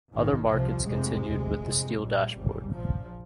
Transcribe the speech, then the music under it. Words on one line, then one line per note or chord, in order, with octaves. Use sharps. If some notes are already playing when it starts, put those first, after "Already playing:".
Other markets continued with the steel dashboard.
A#1 G#2 D#3
C2 C3 F3
F1 F2 C3 G#3
D2 C3
G1 F2 C3
A#1 A#2 G3
G#1 G#2
A#1 A#2 F3